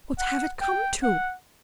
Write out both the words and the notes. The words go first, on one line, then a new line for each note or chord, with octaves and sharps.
"What have it come to?"
F#5
G5
F#5